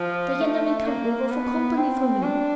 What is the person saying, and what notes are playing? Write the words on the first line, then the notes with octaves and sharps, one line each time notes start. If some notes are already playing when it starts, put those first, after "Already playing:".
Diana will come over for company for me.
Already playing: F3
A3
A#3
B3
C4
D4